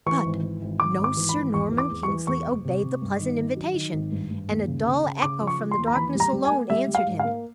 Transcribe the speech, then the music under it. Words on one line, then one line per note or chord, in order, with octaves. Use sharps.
But no Sir Norman Kingsley obeyed the pleasant invitation, and a dull echo from the darkness alone answered him.
E3 C#6
G#1
E3
G#1
G#1 D6
G#1
D6
E3
B5
G#1
E2 C#6
E3
D6
E2
C#6
E3
E2 C#6
F#1
C3
C3
G2
D#3
D#3
F#3
D#3
G#1
G2
G2
D#2
C#3
C#3
C#3
C#3 D6
F3
C#6
F3
C6
D#2
A#5
E3 B5
G3
A#5
G3
G#5
A#3
G3 E5
G3
F5
G#2
F5
A#3